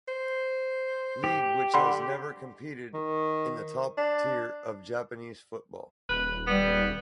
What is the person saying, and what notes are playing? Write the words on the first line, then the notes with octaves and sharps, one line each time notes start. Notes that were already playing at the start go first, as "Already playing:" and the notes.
League which has never competed in the top tier of Japanese football.
C5
G4
D3 F#5 B5 C6
D#3
D4
D#1 B4
G3 B3